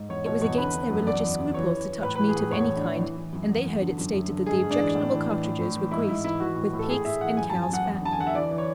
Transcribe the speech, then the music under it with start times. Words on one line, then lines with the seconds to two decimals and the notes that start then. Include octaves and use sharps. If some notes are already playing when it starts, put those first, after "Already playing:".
It was against their religious scruples to touch meat of any kind, and they heard it stated that the objectionable cartridges were greased with pig's and cow's fat.
Already playing: G#2
0.09 E2 C#5
0.25 B2 C#5
0.41 E2 C#5
0.58 D3 B4
0.74 D3
0.90 F#2
1.06 E2 D5
1.23 E2
1.39 C#3
1.54 E3 C#5
1.71 E3
1.87 E3
2.03 A2 B4
2.15 E3 B4
2.28 G#4
2.35 A2 B4
2.52 E2 C#5
2.68 E2
2.76 D4
2.84 E3
3.01 E3
3.17 E3
3.33 F#2
3.49 E2
3.66 E2
3.81 D3
3.98 F#2
4.13 F#2
4.29 D3
4.46 G#2 G#4
4.62 G#2
4.71 D4
4.78 E3
4.95 A2
5.10 E3
5.28 E3
5.43 A2
5.60 A2
5.76 E3
5.91 G#2 E4
6.09 G#2 E4
6.24 E3 E4
6.40 E3 F#4
6.56 A2
6.73 A2
6.79 A4
6.89 A2 G#4
7.04 A2 E5
7.21 E3 F#5
7.37 F#2 G#5
7.50 F#2 A5
7.62 G#5
7.70 F#2 F#5
7.86 E2
8.01 D3 A5
8.13 G#5
8.18 D3 F#5
8.27 E5
8.34 E3 D5
8.51 E3
8.58 C#5